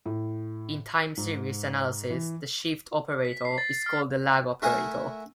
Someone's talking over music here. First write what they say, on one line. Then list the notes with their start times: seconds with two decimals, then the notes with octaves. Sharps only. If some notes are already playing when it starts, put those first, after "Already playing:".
In time series analysis, the shift operator is called the lag operator.
0.06 A2
1.17 G#2
2.10 E3
3.25 B6
3.45 C7
3.58 A6
3.86 F6
4.62 A3 E4 A#4 E5 F#5 G#5